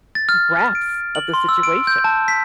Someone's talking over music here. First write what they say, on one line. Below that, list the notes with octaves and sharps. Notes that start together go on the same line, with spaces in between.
grasp of the situation
A6
F6
D7
F#7
C6
E6
D7
G6
A5
B6